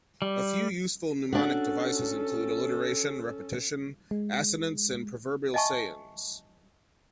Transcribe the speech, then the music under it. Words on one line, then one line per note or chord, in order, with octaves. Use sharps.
A few useful mnemonic devices include alliteration, repetition, assonance, and proverbial sayings.
G3
C#4 D4 F#4 A4
G#3
D#5 E5 G#5 A5 C#6